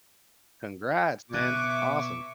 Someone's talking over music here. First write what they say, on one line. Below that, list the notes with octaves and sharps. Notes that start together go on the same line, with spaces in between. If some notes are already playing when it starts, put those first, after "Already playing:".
Congrats, man. Awesome.
B2 E5 C#6 D6 F#6 G#6